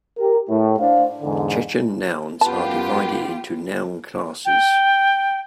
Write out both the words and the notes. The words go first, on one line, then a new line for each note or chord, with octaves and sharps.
Chechen nouns are divided into noun classes.
G4 A#4
A2
D4 C5 F5
E2 G#2 D3
F#2 B3 F4 G4 B4 A5
G5